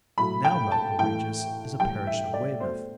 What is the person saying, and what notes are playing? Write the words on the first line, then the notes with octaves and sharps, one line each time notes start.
Now Melcombe Regis is a parish of Weymouth.
A2 F#3 A3 B5
G5
A5
A2 E3 A3 G5
A2 E3 G3 G5
E5
D5
B2 A3 C5